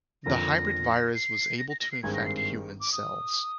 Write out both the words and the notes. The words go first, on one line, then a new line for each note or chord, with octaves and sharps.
The hybrid virus was able to infect human cells.
F2 D3 F3 A#3 A#6
C7
A#6
A#6
A#6
C7
G#1 G2 D#3 G#3 C4 G#6
A#6
C7
C7
D6
D#6